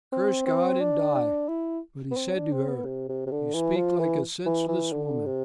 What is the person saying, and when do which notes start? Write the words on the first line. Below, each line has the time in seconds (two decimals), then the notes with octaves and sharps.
Curse God and die." But he said to her, "You speak like a senseless woman.
0.12 C4
0.46 C4
0.80 D4
1.15 D4
1.48 E4
2.11 B3
2.17 C4
2.35 D4
2.52 C4
2.69 B3
2.85 C3
3.09 C3
3.26 C3
3.31 D3
3.54 E3
3.77 F3
4.00 E3
4.46 E3
4.68 E3
4.92 D3
5.26 C3